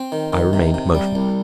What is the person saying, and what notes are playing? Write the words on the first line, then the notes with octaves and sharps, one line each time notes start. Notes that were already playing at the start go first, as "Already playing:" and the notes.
I remained motionless.
Already playing: C4
D#3
D#3
C3
C3
G3
C2